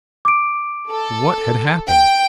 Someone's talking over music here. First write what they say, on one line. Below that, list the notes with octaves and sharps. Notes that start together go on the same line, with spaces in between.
What had happened?
D6 D7
A4
G5